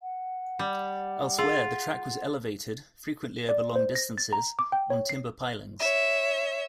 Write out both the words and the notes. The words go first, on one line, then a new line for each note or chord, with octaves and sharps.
Elsewhere, the track was elevated - frequently over long distances - on timber pilings.
F#5
G3
F4 G#4
D5
C5
A#6
A6
A#5
D6
G5
C#5
C7
C#5 E5